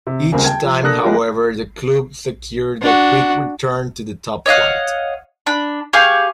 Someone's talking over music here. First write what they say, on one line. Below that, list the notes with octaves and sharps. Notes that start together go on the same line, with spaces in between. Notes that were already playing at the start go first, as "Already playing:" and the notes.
Each time, however, the club secured a quick return to the top-flight.
C3
D#1 C#2 C#3 A#3 C4 G#5
G5 A5 G#6
F3
A#3 D4 A4 D#6 F#6 A#6
F3 G#3 A3 B3 F4 G4
D4 F#4
C#5 D#5 F5 F#5
D4 B5
G4 G#4 F5 C#6